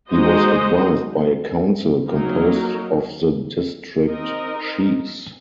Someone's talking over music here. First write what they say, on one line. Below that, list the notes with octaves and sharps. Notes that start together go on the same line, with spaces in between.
He was advised by a council composed of the district chiefs.
G#3 D#4 F#4 C5 D#5
F#3 A#3 D#4 A#4
C4 D#4 A#4 D#5